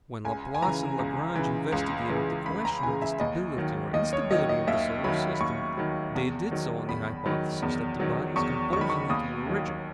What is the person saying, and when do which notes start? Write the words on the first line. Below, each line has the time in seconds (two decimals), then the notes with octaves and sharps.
When Laplace and Lagrange investigated the question of the stability or instability of the solar system, they did so on the hypothesis that the bodies composing it were rigid.
0.25 C#2 G#5
0.55 G#5
0.62 C#3 E3 A#5
0.99 C#2
1.35 C#3 E3
1.72 C#2
2.09 C#3 E3
2.46 C#2 B5
2.65 A#5
2.83 C#3 E3 G#5
3.02 E5
3.20 D#2 D#5
3.57 D#3 F#3
3.93 D#2 D#5
4.13 C#5
4.31 D#3 F#3 D#5
4.49 D#5
4.67 D#2 E5
5.04 D#3 F#3 B5
5.41 D#2 C#6
5.77 D#3 F#3
6.15 E2
6.51 D#3 F#3
6.89 E2 B5
7.26 D#3 F#3
7.62 E2
8.00 D#3 F#3
8.36 E2 C#6
8.73 F#3 C#6
8.76 D#3 B5
8.90 C#6
9.09 D#2 D#6
9.47 D#3 F#3